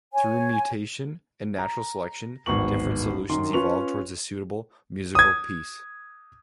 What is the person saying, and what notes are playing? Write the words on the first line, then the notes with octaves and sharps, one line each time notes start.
Through mutation and natural selection, different solutions evolve towards a suitable musical piece.
C#5 G#5
A#5
D1 G#1 B3 C#6 F#7
F#2 D#3 C6
C#4 F4 B4 C6 C#6 F7
D#6 G#6